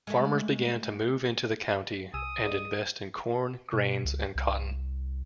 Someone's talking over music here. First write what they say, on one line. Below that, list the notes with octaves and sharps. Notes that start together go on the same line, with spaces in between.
Farmers began to move into the county and invest in corn, grains, and cotton.
G#3 A3
C2 G#5 D#6 E6
G#4 D5 D#5
B2
C#2
C2